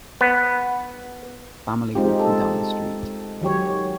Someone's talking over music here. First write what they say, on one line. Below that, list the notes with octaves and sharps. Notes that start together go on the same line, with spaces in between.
A family walking down the street.
B3
G#3 C4 D#4 F4 G4
A4
D#3 F#3 G4 C#5